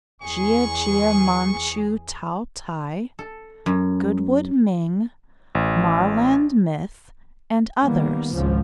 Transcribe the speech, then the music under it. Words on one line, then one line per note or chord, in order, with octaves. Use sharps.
Gia-Gia, Manchu Tao-Tai, Goodwood Ming, Marland Myth, and others.
E2 G#4 C#6
A4
F#2
A1
D#3 G3 A#3 B3
G#1 C#2 G#2 F3